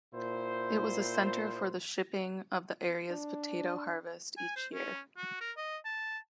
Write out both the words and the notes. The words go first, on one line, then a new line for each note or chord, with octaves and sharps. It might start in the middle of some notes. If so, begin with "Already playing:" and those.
It was a center for the shipping of the area's potato harvest each year.
A#2 E4 C5
D4
G#5
C5
C#4
F#4
A#4
D#5
A5